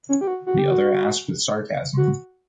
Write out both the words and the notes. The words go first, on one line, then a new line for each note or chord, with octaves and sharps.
The other asked with sarcasm.
C#4
G4
F#4
F#4
G4
F#4
F#4